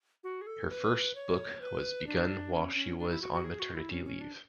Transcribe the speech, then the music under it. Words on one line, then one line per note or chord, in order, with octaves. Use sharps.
Her first book was begun while she was on maternity leave.
F#4
G#4
A4
B4
C#5
B4
D4
C#4
C#4
D4
E4
F#4
F#4
G#4
F#4
E4
C#4
C#4
D4